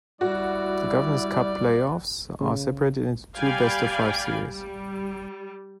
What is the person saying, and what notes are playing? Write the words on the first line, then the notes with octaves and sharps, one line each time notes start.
The Governors' Cup Playoffs are separated into two best-of-five series.
G3 E4 F#4 D5
C#3
G3 D5 F5 G5 G#5 B5
G3